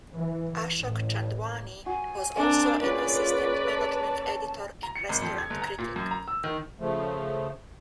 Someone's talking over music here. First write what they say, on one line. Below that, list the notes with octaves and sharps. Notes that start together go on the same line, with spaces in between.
Ashok Chandwani was also an assistant management editor and restaurant critic.
E3
A1
F#4 G#5
A#3 C4 D4
C#4 F4 G#4 B4 D5
A5
A#5
C#7
G#1
F2
G#6
G1
A#5
A#2
F#2
A#5
E6
D#3
C#3 F3 A3